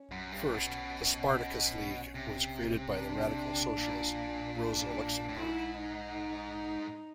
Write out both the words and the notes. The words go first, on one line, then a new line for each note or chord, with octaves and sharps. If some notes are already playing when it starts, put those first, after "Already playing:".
First, the Spartacus League was created by the radical socialist Rosa Luxemburg.
Already playing: C#4
F#2
G2
B2
C3
D4
A#2
D4
A2
G#2 E4
D#4